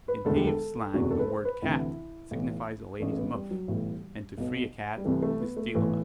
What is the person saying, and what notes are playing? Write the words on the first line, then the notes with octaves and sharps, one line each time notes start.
In thieves' slang the word "Cat" signifies a lady's muff, and "to free a cat" to steal a muff.
B4
E1 D2 D3 A4
G4
A4
F#1 E2 C3 F#4
A4
B4
C5
B4
D2 C3 E3 E4
B1 A2 E3
A1 A2 E3 A3
A3
B3
G3
F#3
B1 A2 E3 G3
B1 B2
G3
C2 C3 E3 A3
A3
B3
A3
B1 A2 E3